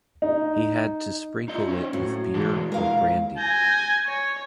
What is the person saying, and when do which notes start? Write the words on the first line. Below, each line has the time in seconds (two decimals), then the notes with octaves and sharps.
He had to sprinkle it with beer or brandy.
0.22 D#4
1.48 D#4 F4 D#5
1.68 C#4 C5
1.93 A2 F#3
2.34 E3 G#3 A5
2.72 G#3 E4 A#4 F5
3.38 G#5 G6 A#6
4.06 C#5